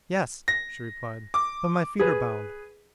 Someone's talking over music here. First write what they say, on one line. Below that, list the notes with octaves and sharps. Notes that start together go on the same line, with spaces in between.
"Yes," she replied, "but my feet are bound."
A#6
D6
G#4 B4